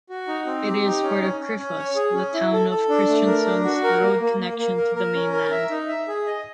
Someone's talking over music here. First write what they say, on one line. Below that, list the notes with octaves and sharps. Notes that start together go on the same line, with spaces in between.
It is part of Krifast, the town of Kristiansund's road connection to the mainland.
F#4
D#4
C4
G4
D#4
C#4
C#4
C#4
C#4
C#5
G#4
C#4
E4
A4
A4
D4
A3
A#4
D4
F#4
A#4
A#3
A#3
A#3
A#3
A#4
A#4
C#4
A#4
E5
D#4
E5
G#4
D#5